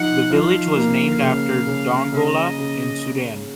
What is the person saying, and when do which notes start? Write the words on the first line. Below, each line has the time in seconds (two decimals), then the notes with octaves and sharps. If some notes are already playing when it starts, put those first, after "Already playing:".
The village was named after Dongola, in Sudan.
Already playing: F3 D#4 F#5
0.31 F3 F5
0.76 A#3
1.22 C#3
1.67 C#3
2.12 C#3 D#5
2.59 C#3